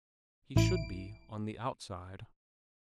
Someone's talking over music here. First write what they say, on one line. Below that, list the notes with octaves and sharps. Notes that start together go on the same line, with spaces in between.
He should be on the outside.
A1 E4 D7